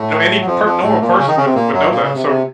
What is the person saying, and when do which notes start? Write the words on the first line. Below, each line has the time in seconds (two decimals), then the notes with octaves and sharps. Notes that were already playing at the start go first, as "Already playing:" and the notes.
you know any per normal person would would know that, so,
Already playing: A2 A3
0.41 F#3
0.47 F2 F3
0.65 F2 F3
0.83 A2 A3
1.01 A#2 A#3
1.19 C#3 C#4
1.28 D#3 D#4
1.37 C#3 C#4
1.46 C3 C4
1.55 A#2 A#3
1.73 F#2 F#3
1.91 A#2 A#3
2.03 C#3
2.15 C3
2.26 C3